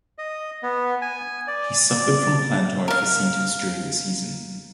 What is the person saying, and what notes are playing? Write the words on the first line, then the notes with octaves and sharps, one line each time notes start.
He suffered from plantar fasciitis during the season.
D#5
B3
G#5
D5
D5
A#4 F5